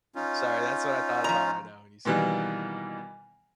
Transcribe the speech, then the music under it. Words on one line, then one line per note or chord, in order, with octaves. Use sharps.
Sorry, that's what I thought about right now when you said
C#4 D#4 F4
F3 A#5
B2 D#3 E3 G3 A#3